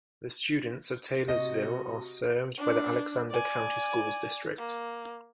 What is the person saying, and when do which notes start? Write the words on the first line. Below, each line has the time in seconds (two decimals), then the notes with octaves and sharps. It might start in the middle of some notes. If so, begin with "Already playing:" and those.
The students of Taylorsville are served by the Alexander County Schools district.
1.28 C3 F#4 D#5
2.58 D4
3.30 D5 G#5
4.58 A#3